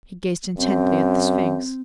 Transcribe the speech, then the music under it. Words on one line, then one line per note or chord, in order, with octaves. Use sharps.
He gazed intently at the sphinx.
F#2 C4